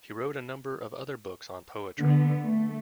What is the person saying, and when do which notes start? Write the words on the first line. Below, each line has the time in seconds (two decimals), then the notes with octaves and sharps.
He wrote a number of other books on poetry.
1.99 D3 B3
2.44 A3